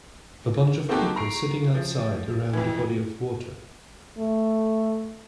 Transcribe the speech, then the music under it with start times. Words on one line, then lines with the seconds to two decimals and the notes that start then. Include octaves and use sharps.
A bunch of people sitting outside around a body of water.
0.89 A#3 C4 D#4 F#4 G4 A4
1.16 A#5 C#6 C7 D7
1.75 F3
2.53 F2 E3
4.18 A3